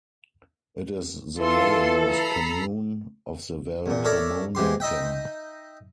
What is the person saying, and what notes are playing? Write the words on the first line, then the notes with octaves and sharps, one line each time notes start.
It is the lowermost commune of the Val Camonica.
E3 F4 A4 C6
A#5 B5 C7
E2 A#2
A4 A#4 C#5 D5 E5
G#2 E3 G4 C6
D#4 D#5 E5 G5